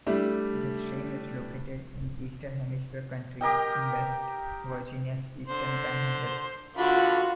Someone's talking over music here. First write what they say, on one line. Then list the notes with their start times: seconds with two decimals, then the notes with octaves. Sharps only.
The stream is located in eastern Hampshire County in West Virginia's Eastern Panhandle.
0.06 G3 A3 D4 E4
3.41 G4 A#4 D#5 G5
5.47 D3 C5
6.77 D3 D4 F4 F#4 B5